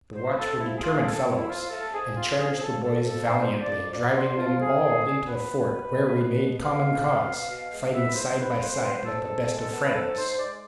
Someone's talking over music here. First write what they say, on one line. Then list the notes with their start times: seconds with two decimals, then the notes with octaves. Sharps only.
The watch were determined fellows, and charged the boys valiantly, driving them all into the fort, where we made common cause, fighting side by side like the best of friends.
0.14 G#2 C5
0.31 B4
0.37 C4 A4
0.59 F3 E4
0.77 G#4
0.81 A3 F4
0.97 G#4
1.03 G#2 A4
1.25 C4
1.36 E4
1.48 F3 F4
1.70 A3 A4
1.92 G#2 G#4
2.15 C4 F4
2.37 F3 G#4
2.59 F3 A4
2.81 F2 A4
3.03 F2 A4
3.26 D3 C5
3.49 F3
3.60 D5
3.70 F2
3.92 F2 D5
4.15 D3 C5
4.37 F3 F4
4.59 F2 G#4
4.81 F2
5.04 D3
5.26 B3 B4
5.49 B2
5.59 B4
5.71 B2
5.94 G#3
6.15 B3
6.37 B2
6.59 B2 F5
6.82 G#3
7.04 B3
7.26 B2
7.49 B2
7.71 G#3
7.93 B3 E5
8.05 B4
8.15 G#2 C5
8.38 G#2 B4
8.60 G#3 C5
8.75 B4
8.82 B3 C5
9.04 G#2 A4
9.26 G#2
9.49 G#3
9.71 B3
9.83 B4
9.94 G#2 A4
10.16 G#2 C5
10.32 C5
10.38 G#3 D5